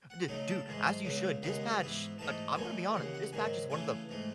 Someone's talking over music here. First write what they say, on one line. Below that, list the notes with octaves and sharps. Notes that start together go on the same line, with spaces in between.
D Dude, as you should. Dispatch I I'm gonna be honest. Dispatch is one of the
F#5
C#3 F#3 A3 D#4
A5
G#2 E3 G#3
C#2 C#3 F#3 B3
D#2 C#3 G#3 B3 D#4 B5
G#2 E3 B3 E4
G#2 E3 A3 D#4 A5
F#2 E3 A3 D#4 G#5
D#2 C#3 E3 F#5
F#5
G#2 D#3 F#3 G#5
C#3 E3 A3 C#4 E4 G#5
G#2 E3 A3